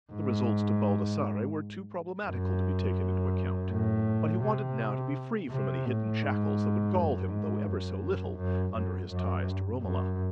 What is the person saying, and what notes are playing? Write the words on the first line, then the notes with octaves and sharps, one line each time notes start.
The results to Baldassarre were too problematical to be taken into account. But he wanted now to be free from any hidden shackles that would gall him, though ever so little, under his ties to Romola.
G#2
F#2
A2
C3
C3
A2
G#2
F#2
G#2
F#2
F#2
F#2
F#2
F#2